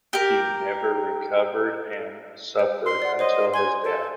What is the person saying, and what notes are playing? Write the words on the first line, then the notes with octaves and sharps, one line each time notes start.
He never recovered and suffered until his death.
G4 A#4
C5
C6
D5 F#5
C5 C#5 D#5 C6
G#5 C6
A4